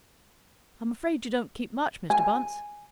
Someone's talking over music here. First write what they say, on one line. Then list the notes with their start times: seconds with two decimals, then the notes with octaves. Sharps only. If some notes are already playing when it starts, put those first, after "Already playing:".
"I'm afraid you don't keep much, Mr. Bunce."
2.10 G#5